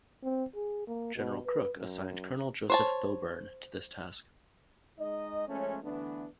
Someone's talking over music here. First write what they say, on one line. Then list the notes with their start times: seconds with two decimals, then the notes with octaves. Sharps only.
General Crook assigned Colonel Joseph Thoburn to this task.
0.23 C4
0.55 G#4
0.87 A#3
1.15 B2
1.46 B4
1.77 F#2
2.70 C5 C#5 A5
4.99 G#3 D#4 D#5
5.48 F3 G#3 A3 C#4
5.83 D3 E3 A3 B3 D4